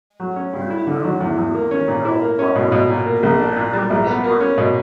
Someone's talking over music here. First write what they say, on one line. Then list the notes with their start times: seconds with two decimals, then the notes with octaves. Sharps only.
It is known for the bluebell flowers that bloom there every spring.
0.20 F#3
0.36 C#4
0.53 G2
0.70 E4
0.87 D3
1.04 F#3
1.20 E2
1.37 E2
1.54 A#3
1.71 C#4
1.88 A#2
2.05 E4
2.21 A#3
2.39 C#4
2.55 B2
2.72 B2
2.89 A#2
3.06 A#3
3.23 A#1
3.40 D4
3.56 A#2
3.73 G3
3.90 A#1
4.07 B3
4.24 A#3
4.40 C#4
4.58 B2